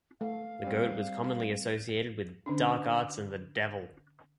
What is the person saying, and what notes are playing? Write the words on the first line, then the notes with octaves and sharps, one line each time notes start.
The goat was commonly associated with dark arts and the devil.
A3 F5
G3 C4
D3 C#4 D4